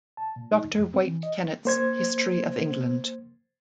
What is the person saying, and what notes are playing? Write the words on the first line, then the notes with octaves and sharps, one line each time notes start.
Doctor White Kennett's "History of England".
A5
A#2
D#4
E2
F2
C4
E3
D#5
A#3 C5 G#6